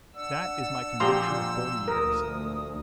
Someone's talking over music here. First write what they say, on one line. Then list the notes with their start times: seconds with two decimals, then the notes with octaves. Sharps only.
That is my conviction of forty years.
0.15 D4 D5 F#5 E6
1.00 A#2 F3 G4 A#5 C6
1.88 D2 A#4 D#6